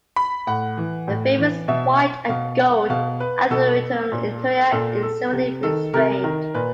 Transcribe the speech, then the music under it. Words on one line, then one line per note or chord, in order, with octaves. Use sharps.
The famous white and gold auditorium interior is similarly restrained.
B5
A2 F#5
E3
A2
E3
B2 E5
B2 F5
F#5
B2 F5
B4
B2 A4
A#2
A#2 A4
A4
C3
D#3 A4
C3 A#4
D#3 A#4
A#2 B4